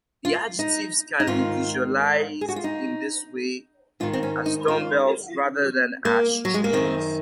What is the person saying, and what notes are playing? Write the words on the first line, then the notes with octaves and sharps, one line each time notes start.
The adjectives can be visualized in this way as "dumbbells" rather than as "trees".
F4
D#4
D#4
G#2 D#3 F4
G#4
F#4
F4
D#4
G#2 D#3 F4
C4
C#4
D#4
F4
A#3
F#3
G#3
A#3
F#2 D#3 C4